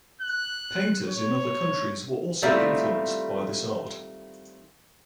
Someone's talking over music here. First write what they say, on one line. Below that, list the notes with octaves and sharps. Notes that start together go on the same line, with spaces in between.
Painters in other countries were also influenced by this art.
F#6
C#5
D#3 G3 A3 C4 E4 F4